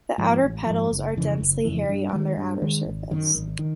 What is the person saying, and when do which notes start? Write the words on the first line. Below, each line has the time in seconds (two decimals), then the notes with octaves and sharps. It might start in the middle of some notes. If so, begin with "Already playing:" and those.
The outer petals are densely hairy on their outer surface.
0.18 G#2 F3
0.43 A1
0.66 G#2 F3
0.91 F#1
1.16 F2 C#3 E3
1.40 F#1
1.65 F2 C#3 E3
1.89 G2
2.13 D#3 G#3
2.37 G2
2.62 D#3 G#3
2.85 G#1
3.11 F#2 D#3
3.35 G#1
3.59 D#3